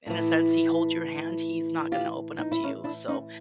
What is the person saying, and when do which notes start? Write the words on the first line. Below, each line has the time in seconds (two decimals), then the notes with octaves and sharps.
in a sense, he holds your hand, he's not gonna open up to you. So
0.07 A2 E3
1.92 F4 G4
2.39 D#4
2.52 E4
2.63 C#4 D#4
2.84 D4 E4
3.08 C#4 D#4